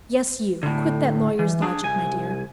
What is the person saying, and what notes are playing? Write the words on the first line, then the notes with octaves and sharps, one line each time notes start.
"Yes, you; quit that lawyer's logic, my dear."
A2 D3
E3
D4 G#4
C2 G#5